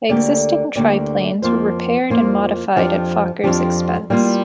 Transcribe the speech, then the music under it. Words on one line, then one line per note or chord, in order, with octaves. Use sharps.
Existing triplanes were repaired and modified at Fokker's expense.
D2 D3 A#3 G4 D5
D2 D3 A#3 G4 D5
F2 F3 A#3 F4 C5
F2 F3 A#3 F4 C5
F2 F3 D4 G4
F2 F3 D4 G4
G3 A#3 F4